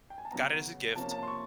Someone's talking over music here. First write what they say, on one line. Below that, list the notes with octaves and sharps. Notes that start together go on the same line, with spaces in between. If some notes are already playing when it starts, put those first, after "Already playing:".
Got it as a gift,
G5
G#5
A5
C#3 F#3 B3 A#5
C3 F3 A#3 C#4 A5
A5
C6
C#6